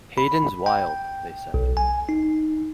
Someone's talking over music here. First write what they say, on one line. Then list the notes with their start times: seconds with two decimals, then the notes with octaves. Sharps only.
"Hayden's wild," they said.
0.18 B5
0.66 G5
1.54 B1
1.77 G#5
2.09 D#4